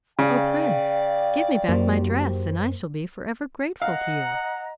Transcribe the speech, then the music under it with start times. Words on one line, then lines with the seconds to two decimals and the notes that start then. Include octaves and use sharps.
'Oh Prince, give me back my dress, and I shall be for ever grateful to you.'
0.19 C#3 D5 F5 G5
1.68 G#1 F#2 F#3 A#3 G4 C5
3.82 D#5 F5 F#5 A#5